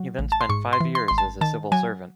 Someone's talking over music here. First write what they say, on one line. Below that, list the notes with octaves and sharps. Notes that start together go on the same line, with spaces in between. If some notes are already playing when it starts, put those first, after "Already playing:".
He then spent five years as a civil servant.
Already playing: F#3
A1
A5
C6
G#2 C#6
C6
E3
C6
G#1 C6
A5
D#3 A5
F#3 G#5